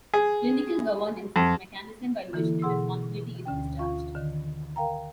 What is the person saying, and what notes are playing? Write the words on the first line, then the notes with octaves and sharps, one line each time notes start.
Clinical governance is the mechanism by which that responsibility is discharged.
G#4
F2
D3 E3 A#3 E4 A4
B2 G#4 F#5 C6 E6
D2 D3 C#4 G5
F4 F5 C#6
D3 D#3
A#4 F5 G5 A#5